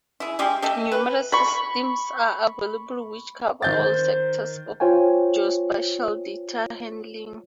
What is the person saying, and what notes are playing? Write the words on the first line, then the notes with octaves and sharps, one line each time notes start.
Numerous systems are available which cover all sectors of geospatial data handling.
E4 G#4
G3 G#3 G4 G#4
A3 G4 A4 D#5
B4
B5 C#6
D#3 C5 G6 A6
F4 C5 C#5 G5 G#5